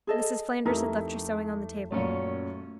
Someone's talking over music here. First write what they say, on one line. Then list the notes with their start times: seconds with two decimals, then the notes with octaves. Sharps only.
Mrs. Flanders had left her sewing on the table.
0.07 G#4 A4 D#5
0.66 F2 A3 D#4 E4 G4 A#4
1.92 F#2 A#2 A3 C#4 C#5